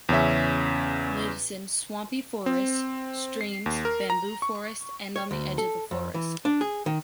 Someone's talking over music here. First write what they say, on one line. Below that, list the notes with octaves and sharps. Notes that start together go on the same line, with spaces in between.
Lives in swampy forests, streams, bamboo forests and on the edge of the forest.
E2 C#3 C#4 E5
C4
C7
D#2
A#4
A#5
C#6
C#5
D2
A4
F2
E3
D4
G#4
D#3